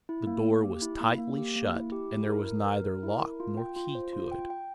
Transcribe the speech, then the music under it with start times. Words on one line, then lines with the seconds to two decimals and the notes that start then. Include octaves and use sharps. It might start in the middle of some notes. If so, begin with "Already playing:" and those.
The door was tightly shut, and there was neither lock nor key to it.
0.09 E4
0.27 A#3
0.45 A#3
0.63 G4
0.82 E4
1.00 A#3
1.19 A#3
1.37 G4
1.56 A#3
1.74 E4
1.92 G4
2.11 E4
2.29 A#4
2.48 A#4
2.66 A#4
2.84 A#4
3.03 E4
3.21 A#4
3.40 F4
3.57 G5
3.76 F4
3.95 C5
4.13 F4
4.31 G5
4.50 G5